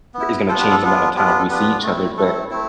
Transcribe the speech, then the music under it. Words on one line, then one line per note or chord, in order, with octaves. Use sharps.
is gonna change the amount of time we see each other, but,
B3
E4
B3 D4 F4 A4 C5
G4 B4
A4
B3 D4 F4
B3 D4 F4 G4
G4
A4
B3 D4 F4 G4 B4
A3 C4 E4
A3 C4 E4 A4
A3 C4 E4